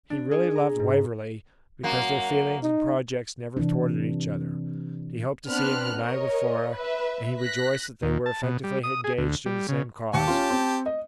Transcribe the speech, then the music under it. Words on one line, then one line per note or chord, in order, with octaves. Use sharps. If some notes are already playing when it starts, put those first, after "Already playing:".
He really loved Waverley, because their feelings and projects never thwarted each other; he hoped to see him united with Flora, and he rejoiced that they were effectually engaged in the same cause.
D4
G#4
A#5
G#2
F#2 A#3 F#4
D#4
C3 E3 C4 D4
B3 C4 D4 B5 F6 F#6
A#4 C#5 D#5
B4 E5
F#6 A#6 B6
D#2
A5
B2
G3
D#6
G#4
D2
G3
C#3
D#2 G4 A5 C#7
C#4 F4
C4
D#5